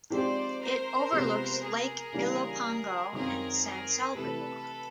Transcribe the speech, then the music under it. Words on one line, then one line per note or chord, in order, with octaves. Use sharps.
It overlooks Lake Ilopango, and San Salvador.
F3 G#3 C4 D#4 G4 C5 D5
A#4 C5
C3 F3 G#3 B3
G#4 A#4
C#3 E3 G3 A#3 D4
F#2 D#3 G#3 C4 F4 G#4 A#4
G#4 A#4
C3 E3 A3 A4 B4